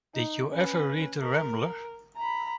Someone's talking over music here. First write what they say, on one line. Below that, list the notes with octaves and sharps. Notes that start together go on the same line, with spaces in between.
Did you ever read the Rambler?
D#4
C#4 B4
A#4
A#5 B5